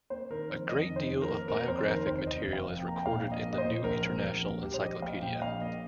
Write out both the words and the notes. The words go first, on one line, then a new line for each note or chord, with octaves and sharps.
A great deal of biographic material is recorded in the "New International Encyclopedia".
A#3 C5
D#3 A#4
F2 C5
F2 D#5
D#3
C5
F2
A#4
A#3
A#3 A#4
F2 C5
C5
D#3 A#4
F1 C5
F1 D#5
F1
F5
F2
G5
A#3 A#5
G5
A#2 F5
A#1
D#5
A#3
D#5
C5
A#2
A#1 A#4
A#1
A#1
A#1
A#1 G4
C5
A#1 D#5
A#1 F5
A#2 G5
D#5
A#1 F5
A#3 D#5